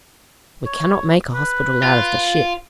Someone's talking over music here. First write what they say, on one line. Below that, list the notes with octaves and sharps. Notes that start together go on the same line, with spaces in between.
We cannot make a hospital out of the ship.
C#5
B4
F4